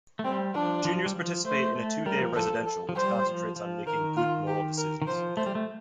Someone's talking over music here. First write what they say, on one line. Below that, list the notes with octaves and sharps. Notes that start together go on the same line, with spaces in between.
Juniors participate in a two-day residential which concentrates on making good moral decisions.
A3
G3 C4
F3 D4
F3
G3
F3
A3 C5
A3
G3 A#4
F3
F3 A4
F3
A4
F3
G3 C5
F3
F3
D#3 A#4
F4
G4
A#4
D#3
F3 C5
A3 C5
G3
A3